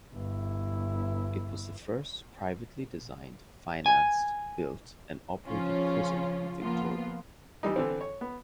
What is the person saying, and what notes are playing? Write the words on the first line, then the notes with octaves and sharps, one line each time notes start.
It was the first privately designed, financed, built and operated prison in Victoria.
G1 E4
G#5
C#3 F3 C#4 F4
F3 A#3 B3 F4
E3 G3 D#4
D3 E3 C4
C#5
B3